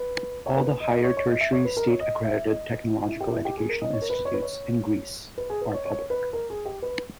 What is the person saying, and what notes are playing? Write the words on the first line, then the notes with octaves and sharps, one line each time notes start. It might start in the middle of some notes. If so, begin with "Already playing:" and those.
All the higher tertiary state-accredited technological educational institutes in Greece are public.
Already playing: B4
C#5
B4
D#5
C#5
C#5
D#5
E5
C#5
B4
A#4
C#5
D#5
E5
D#5
E4
G4
E4
G4
G#4
A#4
D#5
C#5
A#4
B4
C#5
B4
C#5
B4
G#4
B4
C#5
C#5
B4
A#4
G#4
G4
B4